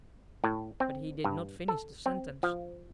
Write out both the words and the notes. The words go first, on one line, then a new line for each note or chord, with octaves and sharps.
But he did not finish the sentence.
A2
C4
G2
A4
C4
F3